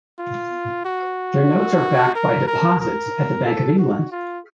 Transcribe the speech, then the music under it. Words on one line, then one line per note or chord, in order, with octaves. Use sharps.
Their notes are backed by deposits at the Bank of England.
F4
F#4
A#4
A#4
A#4
A4
F#4
F4